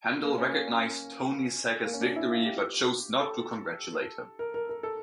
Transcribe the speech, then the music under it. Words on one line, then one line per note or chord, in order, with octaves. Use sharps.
Handal recognized Tony Saca's victory, but chose not to congratulate him.
A#3
C#4
A#3
C#4
A#3
C#4
D4
E4
F4
G4
A4
A#4
A#4
A#4
A4